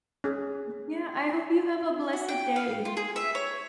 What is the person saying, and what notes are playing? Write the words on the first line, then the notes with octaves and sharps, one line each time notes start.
M yeah, I hope you have a blessed day.
C#4 G#4
F#4
G5
F5
F4
G#4
E5
C#5